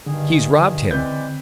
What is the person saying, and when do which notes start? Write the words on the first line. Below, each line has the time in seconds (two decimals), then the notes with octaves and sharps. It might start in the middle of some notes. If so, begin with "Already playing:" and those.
He's robbed him!
0.06 G2 D3 D#3 G#4
0.91 E3 G#3 C4 B4 D5 G6